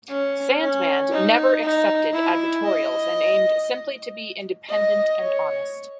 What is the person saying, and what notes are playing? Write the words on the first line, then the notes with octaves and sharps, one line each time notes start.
Sandman never accepted advertorials and aimed simply to be independent and honest.
C#4
C#4
D#4
D#4
E4
D#5
D#5
C#5